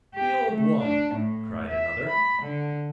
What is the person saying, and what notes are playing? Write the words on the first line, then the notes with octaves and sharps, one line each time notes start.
"The old one," cried another.
G4
A3
D4
A2
E5
B5
D3